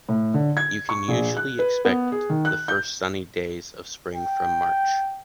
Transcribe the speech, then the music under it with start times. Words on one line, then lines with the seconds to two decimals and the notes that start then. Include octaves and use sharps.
You can usually expect the first sunny days of spring from March.
0.09 A2
0.34 D3
0.57 G#6
0.89 C#6
1.08 A#1
1.37 F#6
1.59 B4
1.85 B3
2.12 G#4
2.30 D#3
2.45 F#6
2.68 G6
4.15 G5